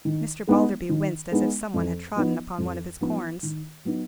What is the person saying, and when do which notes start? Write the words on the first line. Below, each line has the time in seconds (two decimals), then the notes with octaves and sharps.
Mr. Balderby winced as if some one had trodden upon one of his corns.
0.05 D#3
0.47 G#3 B3 D#4
0.89 D#3
1.32 G#3 B3 D#4
1.74 F2
2.16 F3 B3 D#4
2.58 F2
3.01 F3 B3 D#4
3.43 D#3
3.85 F#3 B3 D#4